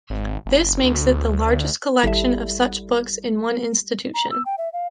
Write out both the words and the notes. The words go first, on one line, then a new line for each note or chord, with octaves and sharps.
This makes it the largest collection of such books in one institution.
G#1
F#1
D2
G#1 G3 E4 A4 E5
A#5
E6
G5
E5
F5